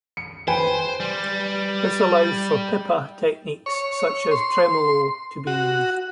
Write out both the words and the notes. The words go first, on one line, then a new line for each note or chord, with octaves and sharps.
This allows for "pipa" techniques such as tremolo to be used.
C#7
B4 C5 G5 G#5
G3
C#5
C6
F#4